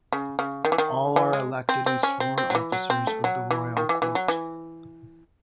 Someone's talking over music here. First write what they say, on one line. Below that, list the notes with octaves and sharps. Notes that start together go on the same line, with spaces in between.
All are elected and sworn officers of the Royal Court.
C#3
C#3
D#3
E3
D#3
E3
G#3
C4
C4
C#4
C4
C4
F#3
E3
F#3
C4
A3
F#3
E3
D#3
E3
E3
F#3
E3